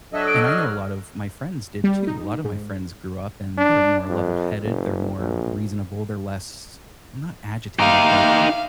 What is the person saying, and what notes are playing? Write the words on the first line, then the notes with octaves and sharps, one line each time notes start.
And I know a lot of my friends did, too. A lot of my friends grew up, and they're more level-headed, they're more reasonable, they're less well, not agitated, but
F#3 D4 A4 D#5 E5
D7
F6
G3
D#4
G#2
D4
F2
F#1
A#1
D#4 G4 E5 F5